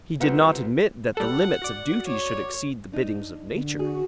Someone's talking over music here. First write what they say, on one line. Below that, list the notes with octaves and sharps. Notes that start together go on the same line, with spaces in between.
He did not admit that the limits of duties should exceed the biddings of Nature.
C2 C4 F4 B4 F#5 C#7
G3 A4 F#5
F#4 D5
C#5
D4 D#4
D3
F#4 G#4